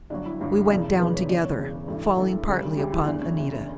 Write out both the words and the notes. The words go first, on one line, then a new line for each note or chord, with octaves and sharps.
We went down together, falling partly upon Anita.
G1 G2 F#3 D4
E4
G1 G2 F#3
E1 E2 C#3 E3 D5
E1 E2 C#3 E3 B4
C#5
E1 E2 C#3 D5
C#5
E1 E2 C#3
A1 G2 E3 A4
A1 G2 E3 A4
D2 C#3 G3
D2 C#3 G3 G4
E4
F#1 E2 D3 D4
C#4
F#1 E2 D3